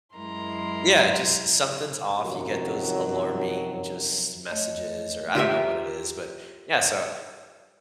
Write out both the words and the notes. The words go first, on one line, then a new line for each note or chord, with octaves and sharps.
Yeah, just something's off. You get those alarming, just messages, or I don't know what it is. But, yeah, so
F#2 G#3 E4 A#4 A#5 C6
F#2 C3 D#3 F3 F#3 A#4
A3 C#5 D#5
F4 G4 A#4 E5